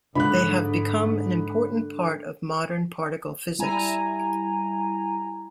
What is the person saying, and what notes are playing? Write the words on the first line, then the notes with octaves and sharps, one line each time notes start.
They have become an important part of modern particle physics.
G#2 D3 D4 A4 B5 F#6
G3 E4 G#5 A#5